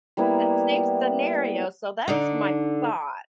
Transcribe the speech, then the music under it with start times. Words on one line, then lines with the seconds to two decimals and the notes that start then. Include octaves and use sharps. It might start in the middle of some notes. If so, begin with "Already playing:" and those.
That same scenario, so, that's my thought,
0.17 G3 A#3 B3 E4
2.08 D3 D4 D#4